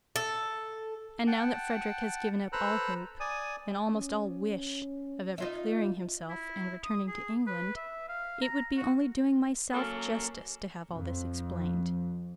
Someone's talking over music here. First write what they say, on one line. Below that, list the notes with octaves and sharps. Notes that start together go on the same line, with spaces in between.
'And now that Frederick has given up all hope, and almost all wish of ever clearing himself, and returning to England, it would be only doing myself justice to have all this explained.
A4
F#5 G5 A5
A4 B4 C5 A#5 E6 F#6
D5 G#5 D#6
C#4
D#4 F4 E5
E4
D#6
G#4
B4
E5
F5
A#5
F#4
F#3 A#3 C#4 A4 A#4
F2